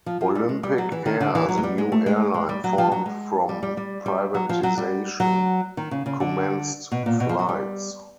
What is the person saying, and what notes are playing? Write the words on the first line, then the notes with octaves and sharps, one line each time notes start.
Olympic Air, the new airline formed from privatisation, commenced flights.
F3
F3
G3
G#3
G3
F#3
E3
D#3
D3
E3
F#3
G#3
G3
G#3
A3
G#3
G#3
G3
F#3
F3
F#3
G#3
G3
G3
G3
G3
F#3
F3
F#3
G3
F#3
D#3
C#3
C#3
D3
B2
A#2
B2
F3
F#3
G3